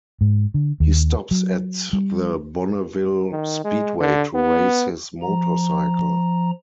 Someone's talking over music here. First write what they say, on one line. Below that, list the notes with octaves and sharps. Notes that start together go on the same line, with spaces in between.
He stops at the Bonneville Speedway to race his motorcycle.
G#2
D3
D#2
F#3
G3
D#3
G#3
D3
B3
F3 A#5